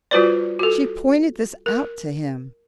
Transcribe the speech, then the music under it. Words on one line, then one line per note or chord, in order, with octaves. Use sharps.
She pointed this out to him.
G3 F4 F#4 B4 C5 D5
F#4 A4
A#4